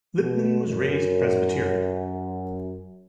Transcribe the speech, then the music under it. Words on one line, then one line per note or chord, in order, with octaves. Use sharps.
Lippman was raised Presbyterian.
B2
F#2